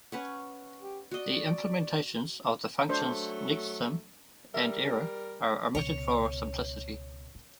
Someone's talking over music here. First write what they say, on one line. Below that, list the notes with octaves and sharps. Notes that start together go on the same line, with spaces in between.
The implementations of the functions "nextsym" and "error" are omitted for simplicity.
C#4 B4 F#5
G4
F#4 D5 D#5
F#3 A3 D4 C5
G3 A#4 E5
C#2 B2 C#5
E3